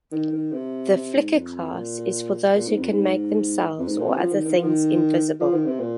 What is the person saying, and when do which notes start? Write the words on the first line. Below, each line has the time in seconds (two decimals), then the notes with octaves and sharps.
The Flicker class is for those who can make themselves or other things invisible.
0.12 D#3
0.32 D#3
0.52 C3
0.94 C3
1.14 G#2
1.34 F2
1.74 A#2
2.55 A#2
2.67 G#2
2.78 F2
2.90 G#2
3.78 F2
3.87 G#2
3.97 A#2
4.08 C3
4.17 F3
4.32 D#3
4.45 D#3
4.53 F3
4.63 D#3
5.40 F3
5.53 D#3
5.66 C3
5.79 A#2